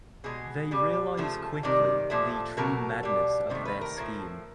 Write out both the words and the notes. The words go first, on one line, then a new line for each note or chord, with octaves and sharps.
They realize quickly the true madness of their scheme.
B2 G#3 G#4
B2 G3
C#3 F3 A3
C3 D#3 G3
A#2 F3 A3
B2 F#3 A3 A#4
B2 G3
C3 D#3 A3 C5
B4
A#4
A2 F3 A3